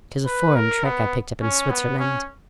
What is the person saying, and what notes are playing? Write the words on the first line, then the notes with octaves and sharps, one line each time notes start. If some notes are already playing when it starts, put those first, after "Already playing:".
'Tis a foreign trick I picked up in Switzerland.
B4
A#4
B3
C#4
B3
C#4